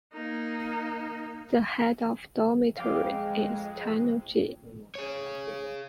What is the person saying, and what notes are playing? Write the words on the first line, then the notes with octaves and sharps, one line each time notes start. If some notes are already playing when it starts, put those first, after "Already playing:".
The head of dormitory is Tennouji.
A#3 D#4
F2 G#3 F5 G5 D6
G#4 C#5